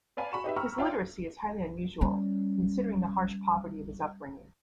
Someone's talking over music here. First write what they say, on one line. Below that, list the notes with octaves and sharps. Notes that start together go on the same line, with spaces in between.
His literacy is highly unusual, considering the harsh poverty of his upbringing.
B4 D5 F5 G#5 A5 B5
F#4 B5 C#6 E7
D#4 G4 B4 E5
G5 A#5 B5 C#6 E6 F6
F4 C#5 D5 E5 F5 G5
G3 C#4